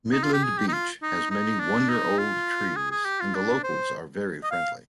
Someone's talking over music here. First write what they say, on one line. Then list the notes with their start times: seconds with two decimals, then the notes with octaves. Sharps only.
Midland beach has many wonder old tree's and the locals are very friendly.
0.12 D#4
0.23 F4
0.33 G4
0.44 G#4
0.58 G4
0.68 D#4
0.73 F4
1.02 D#4
1.31 D#4
1.60 D4
1.89 D#4
2.18 F4
2.76 G#4
2.91 G#4
3.05 G4
3.20 F4
3.35 D4
3.64 C5
4.44 D#5
4.51 F5